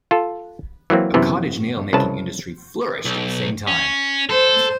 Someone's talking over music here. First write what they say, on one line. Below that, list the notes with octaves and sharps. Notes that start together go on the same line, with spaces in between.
A cottage nail making industry flourished at the same time.
F4 A4
E3 F#3 A#3 C4
F#2 C3 E3 B3
C2 C#3 B4 A5
B1
C#4
A4 C5